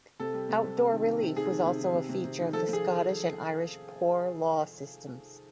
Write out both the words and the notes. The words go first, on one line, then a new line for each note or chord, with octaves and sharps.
Outdoor relief was also a feature of the Scottish and Irish Poor Law systems.
C3 A4
G3
C3
C3
C3
D#3
D#3
C3
D#3 G#4
D#3
C3
D#3
C3
C3
C3
D#3
F3 A4
F3 G#4